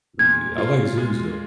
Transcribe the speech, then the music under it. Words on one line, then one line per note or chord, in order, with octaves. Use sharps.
Yeah. I like zoos, though.
A#2 G#6
F4
G#3